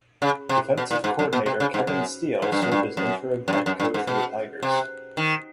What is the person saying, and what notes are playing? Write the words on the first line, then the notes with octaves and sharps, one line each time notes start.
Defensive coordinator Kevin Steele served as interim head coach for the Tigers.
C#3
C3
B2
A#2
G#2
F#2
B2
C3
C#3
G#2
F#2
G#2
G2
F#2
G2
F#2
F#2
G2
F#2
G2
G#2
B2
C3
D#3